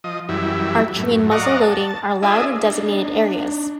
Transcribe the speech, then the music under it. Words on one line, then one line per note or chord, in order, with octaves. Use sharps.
Archery and muzzle loading are allowed in designated areas.
F3 D#5
F#2 E3 G3 E4
F#2 A2
D5 D#5 F5 F#5 A#5 C#6
A5
D4 F4 G#4 D#5 E5
D4 D#4